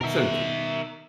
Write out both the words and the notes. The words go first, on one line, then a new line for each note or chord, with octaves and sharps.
Thank you,
B2 D#3 A#4 E5